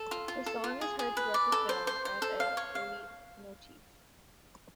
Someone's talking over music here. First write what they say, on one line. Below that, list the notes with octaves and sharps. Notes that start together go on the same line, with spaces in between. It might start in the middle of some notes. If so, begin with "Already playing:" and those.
The song is heard throughout the film as a leitmotif.
Already playing: A4
F4
F4
A4
F4
G#4
G#4
B4
D5
A4
C5
C5
C5
A4
F5
C#5
F5